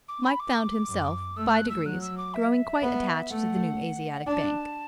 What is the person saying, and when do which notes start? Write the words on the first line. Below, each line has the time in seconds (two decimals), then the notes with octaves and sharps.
Mike found himself, by degrees, growing quite attached to the New Asiatic Bank.
0.09 D6
0.24 B5
0.40 D6
0.88 F#2
1.37 A3 E6
1.53 F#6
1.69 E6
1.85 F#3 F#6
2.02 E6
2.18 D6
2.34 E5
2.82 B3
3.30 A3 F#5
4.27 D4 A5